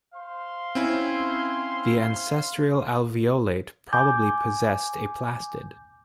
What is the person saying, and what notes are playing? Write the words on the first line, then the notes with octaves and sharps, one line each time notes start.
The ancestral alveolate probably possessed a plastid.
C5 F5 C6
C4 C#4 E4
G#5 D6 G6